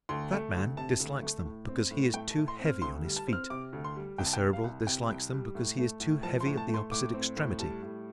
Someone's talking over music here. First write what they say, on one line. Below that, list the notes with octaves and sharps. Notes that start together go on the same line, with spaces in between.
The fat man dislikes them because he is too "heavy on his feet." The Cerebral dislikes them because he is too heavy at the opposite extremity.
D2 C6
A3
D2
C3 A5
D2
A3
A2
C4
A2
A3 G5
A5
A2
C6
C4
F6
D2 C6
G3
A5
C4
F6
C3 D6
D2
C6
G3
C2 G5
A5
G5
G3
F5
C2
C3 G5
C2
G3
A2
A3
A2
F3 A5
C6
A2
A5
A3
C6
A2 D6
C4
A2
G3 A5
A2